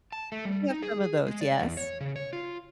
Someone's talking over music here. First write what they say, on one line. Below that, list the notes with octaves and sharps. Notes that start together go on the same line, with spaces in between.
we have some of those. Yes.
A5
A3
G3
D#4
G#4
G#3
D5
E2
C#5
C#3
C#5
F4